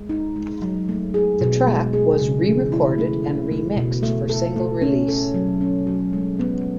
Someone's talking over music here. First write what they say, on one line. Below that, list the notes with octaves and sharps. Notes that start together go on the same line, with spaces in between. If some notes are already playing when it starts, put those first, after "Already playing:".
The track was re-recorded and remixed for single release.
Already playing: G#3
D#4
G#3
F#3
A3
G#4
B2
G#3
G#4
C#3
E3
E4
A3
E4
A3
B2
A3
A4
A3
C#4
A4
F#3
C#4
F#3
G#3
B3